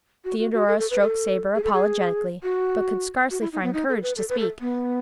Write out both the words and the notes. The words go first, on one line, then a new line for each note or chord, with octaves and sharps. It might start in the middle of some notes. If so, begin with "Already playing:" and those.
Theodora stroked Sabre, apologetically, but could scarcely find courage to speak.
F#4
F#4
F#4
A4
A4
B4
A4
G#4
A4
G#4
F#4
F#4
E4
D#4
B3
D#4
A4
B4
A4
B4
A4
B3